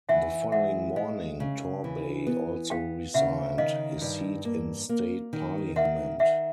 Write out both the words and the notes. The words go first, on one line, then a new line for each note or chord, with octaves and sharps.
The following morning Torbay also resigned his seat in State Parliament.
E3 E5 F#5
G#3 E5 F#5
G#3 D#5 F5
C#3
E3
B3
B3 F5 G5
C#3 E5 F#5
D#3 D#5 F5
G2
A#3
A#3
D#3
D#3 E5 F#5
D#3 E5 F#5